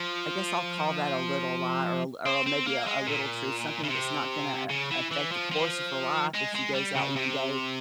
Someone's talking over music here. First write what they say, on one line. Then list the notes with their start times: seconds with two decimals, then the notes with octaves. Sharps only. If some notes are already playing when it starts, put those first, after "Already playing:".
I guess I'll call that "a little lie" or a l or a maybe a "a little truth," something that's not gonna a affect the course of her life if she goes out one day
Already playing: F3
2.26 C4
2.46 C4
2.66 A#3
2.87 G#3
3.07 A#2
3.84 C#3
3.89 C3
4.70 C#3
4.91 E3
5.11 E3
5.32 F3
5.52 F3
6.34 G#3
6.55 G#3
6.74 G3
6.95 C#3
7.16 C3